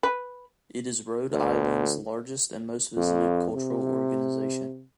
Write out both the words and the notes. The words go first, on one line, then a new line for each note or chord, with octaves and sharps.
It is Rhode Island's largest and most-visited cultural organization.
B4
D2
F2
C3